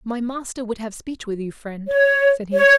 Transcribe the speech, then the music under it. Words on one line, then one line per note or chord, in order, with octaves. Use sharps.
"My master would have speech with you, friend," said he.
C#5
C#5